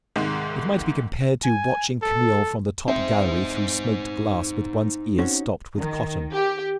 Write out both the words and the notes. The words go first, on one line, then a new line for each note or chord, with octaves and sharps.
It might be compared to watching Camille from the top gallery through smoked glass, with one's ears stopped with cotton.
C2 G#2 D#3 G#3
G#5
A4
C4 D#4 C5 E5
C4 C#4 F#4
D#3
G4